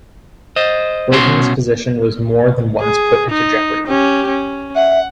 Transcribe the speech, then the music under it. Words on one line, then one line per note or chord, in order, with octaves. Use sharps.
Bertin's position was more than once put into jeopardy.
C5 D#5
C2 B2 C#4 F#4 G4 C6
G#4
D#4
C#4 G4
C#4
E5 F#5